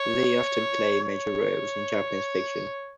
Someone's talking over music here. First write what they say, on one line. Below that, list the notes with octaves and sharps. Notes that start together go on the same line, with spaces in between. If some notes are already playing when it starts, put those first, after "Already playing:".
They often play major roles in Japanese fiction.
Already playing: C#5
C#5